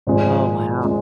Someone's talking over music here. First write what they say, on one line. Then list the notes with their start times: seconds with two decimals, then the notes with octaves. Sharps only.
Oh wow.
0.07 G#1 G#2 F3 G#3
0.84 F3 G#3